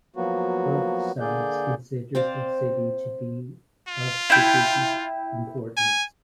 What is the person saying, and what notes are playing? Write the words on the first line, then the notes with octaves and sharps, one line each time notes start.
Both sides considered the city to be of strategic importance.
F3 F#3 A#3 B3 F#4
D3 A#3 G#4 D5 G6
C4 C5 D5 F5
F4
E4 G5
G#5